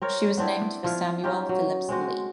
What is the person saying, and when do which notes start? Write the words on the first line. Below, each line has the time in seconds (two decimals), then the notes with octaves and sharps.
She was named for Samuel Phillips Lee.
0.02 C4 A#4 C#5
0.37 B3 C4 D4 E4
0.84 F3 E4 F4
1.24 C#4 D#4 F4 G4
1.49 F#3
1.89 G#3 C4 F#4